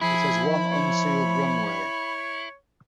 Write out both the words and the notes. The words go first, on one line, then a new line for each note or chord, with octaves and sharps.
It has one unsealed runway.
F3 E4 G#4 B5
C#5